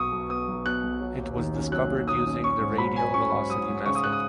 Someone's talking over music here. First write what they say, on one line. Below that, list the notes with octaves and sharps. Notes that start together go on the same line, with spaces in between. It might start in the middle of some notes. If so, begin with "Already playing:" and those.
It was discovered using the radial velocity method.
Already playing: B1 B2 B3 C#6 D#6
B1
B3 D#6
B1
B2 F#6
B1
F#3
D#2
D#3
C#4
F#3 F#6
D#2
D#3 D#6
C#4
C#4 C#6
G#2
F#3 B5
G#2 G#5
C#4 C#6
G#2
F#3 D#6
G#2
C#3 C#6
D#6
F#6
D#6